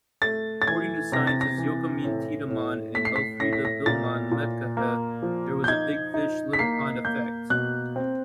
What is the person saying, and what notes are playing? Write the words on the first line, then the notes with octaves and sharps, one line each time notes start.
According to scientists Joachim Tiedemann and Elfriede Billmann-Mahecha, there was a big-fish-little-pond effect.
A3 A6
A6
E3 G#6
C3 A#6
A6
A#6
E3
A2
A2
A3 B6
C7
B6
A2 A#6
B6
A#6
A#2 A6
A#2
A#3
F3
G6
D#4 G#6
D#4
B6
A#3 C7
A#3 G6
B2 F#6
C4